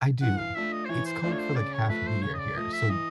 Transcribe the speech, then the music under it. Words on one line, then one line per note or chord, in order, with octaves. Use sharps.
I do. It's cold for, like, half of the year here. So,
E3 F#5
F5
A3 D4 F4 E5
D#5
C5
E3 C#5
C5
A3 D4 F4 C5
C#5
C5
C#3 D5
C#5
F3 A3 B4
C5
C#3 C#5
D#5
D5
F3 A3 D#5
E5
E3 D#5